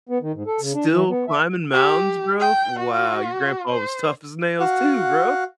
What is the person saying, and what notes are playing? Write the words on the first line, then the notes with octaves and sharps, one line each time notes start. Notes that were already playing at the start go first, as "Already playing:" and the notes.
Still climbing mountains, bro? Wow, your grandpa was tough as nails too, bro.
B3
D#3
G#2
A4
C#3
D4
E3
B3
E5
G4
G5
F#4
C5
F#4 F5 F#5